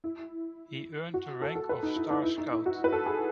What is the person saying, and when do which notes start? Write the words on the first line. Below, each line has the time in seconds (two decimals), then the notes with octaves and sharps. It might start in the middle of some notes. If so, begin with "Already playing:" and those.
He earned the rank of Star Scout.
0.04 E4
1.14 F#4
1.41 A4
1.55 A4
1.69 B4
1.83 D#4
1.96 E4
2.10 D#4
2.23 E4
2.38 D#4
2.51 E4
2.66 F#4
2.84 B4
2.92 A4
3.06 G#4